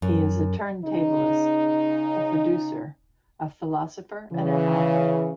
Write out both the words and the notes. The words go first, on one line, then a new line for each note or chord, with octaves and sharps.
He is a turntablist, a producer, a philosopher, and an author.
F#2
C#3 D#4
C#3 E3